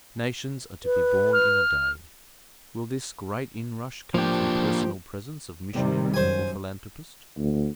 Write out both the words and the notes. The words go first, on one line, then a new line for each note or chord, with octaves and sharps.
"Nations are to be born in a day." Will this great inrush come from personal presence of missionary or philanthropist?
B4
F6
F3 A#3 D4 G4
C3 D#3 G3
F#2 C5 G#5
D2